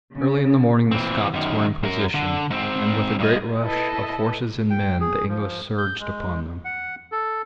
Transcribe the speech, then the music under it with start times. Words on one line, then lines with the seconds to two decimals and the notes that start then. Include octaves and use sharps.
Early in the morning the Scots were in position, and with a great rush of horses and men the English surged upon them.
0.14 C#3
0.91 E3 C4
1.34 F#2 D#3
1.83 F#2 A#4
2.14 D3
2.50 G#2 C4
3.19 G2 D#5
3.60 E4 A4 B4 D#5
4.70 G5
5.01 G#4
5.29 F3
5.78 G6
6.00 G#3
6.65 F#5
7.12 A4